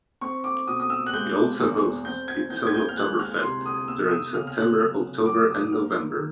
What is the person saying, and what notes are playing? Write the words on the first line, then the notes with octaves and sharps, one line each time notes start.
It also hosts its own Oktoberfest during September, October and November.
C4 C#6
D6
B2 D#6
D#6
E6
F#6
G#3 G6
E2
C4 G6
G#6
E3 G6
G#6
G6
F6
G#3 F#6
F6
C3 C6
D#6
B3 E6
D#6
E6
C#3 F6
F6
F#6
F#3 F6
F#2 D6
E6
D#6
A#3 F6
D#3